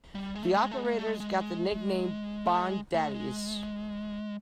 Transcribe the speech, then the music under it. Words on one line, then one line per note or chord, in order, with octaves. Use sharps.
The operators got the nickname Bond Daddies.
G3
G#3
A3
G#3
A3
G#3
A3
G#3
A3
G#3
A3
G#3
G#3
A3
G#3
A3
G#3